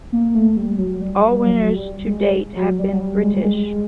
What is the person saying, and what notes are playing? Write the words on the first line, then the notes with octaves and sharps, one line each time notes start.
All winners to date have been British.
A#3
A3
G3
F#3
G3
G3
F#3
G3
G#3
F#3
G3
F#3
G3
G#3
G3
G#3